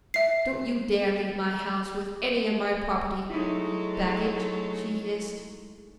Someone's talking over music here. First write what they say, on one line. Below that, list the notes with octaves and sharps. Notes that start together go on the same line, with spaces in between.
"Don't you dare leave my house with any of my property, you baggage," she hissed.
E5 C7
F#3 G#3 A3 D#4 E4